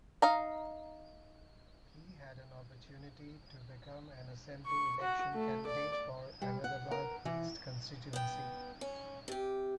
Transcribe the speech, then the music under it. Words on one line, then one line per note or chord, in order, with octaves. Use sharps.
He had an opportunity to become an assembly election candidate for Ahmedabad East constituency.
D#4 F5 A#5
C#6
F#4
A3
D5
G3
F#5
A#4
E3
B3 G5
C#4
C3 G4